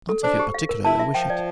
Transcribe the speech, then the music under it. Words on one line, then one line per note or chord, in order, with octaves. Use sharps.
"Not if you particularly wish it."
A4
D4 C5
G4
F5
A#4
E4 A5
E5
F3 G5
D5